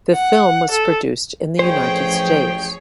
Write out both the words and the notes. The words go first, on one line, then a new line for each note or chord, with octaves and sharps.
The film was produced in the United States.
F#5
A4
A1 F3 G#4 C5 C#5 G5